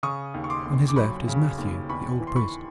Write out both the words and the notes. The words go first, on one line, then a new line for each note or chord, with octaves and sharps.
On his left is Matthew, the old priest.
C#3 C#6 D#6
D#2
C#6
C6 D6
D#2
D6
F#3 B5 C#6
C#3
D#2
E2 B5 C#6
E3
C6
B5 C#6